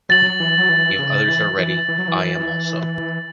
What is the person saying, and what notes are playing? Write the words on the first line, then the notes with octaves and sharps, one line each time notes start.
If others are ready, I am also.
F#3 A6 F#7
E3
F#3
E3
C#3
E3
E3
E3
F#3
E3